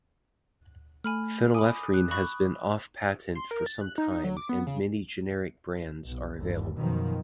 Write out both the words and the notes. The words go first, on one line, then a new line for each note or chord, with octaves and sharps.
Phenylephrine has been off patent for some time, and many generic brands are available.
A3 G#5 B5 F6
G#5 B5 D6 D#6
F#6
B5 C#6 F#6
C6
A#4
A6
F#6
D#4
D#4
F#3
D6
B3
C#3
B1
G1 D#2
F#2 B2 D#3 F3 F#3